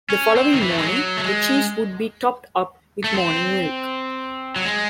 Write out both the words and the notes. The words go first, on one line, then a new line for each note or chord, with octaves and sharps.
The following morning, the cheese would be topped up with morning milk.
C#4
C4
D#3
E3
A3
G#3
F#3
A3
G#3
A3
C4
F#3
G#3